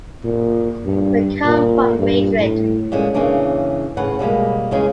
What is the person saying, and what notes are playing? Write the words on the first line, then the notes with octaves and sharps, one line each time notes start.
We've come from Madrid.
A#2
G2
A#2
G2
A2
A#2 D3 G#3 C#4
C#3 E3 A#3 C#4 D4
A2 C#3 B4 F#5
B2 G3 G#3 A#3
E2 C#3 G#3 G#5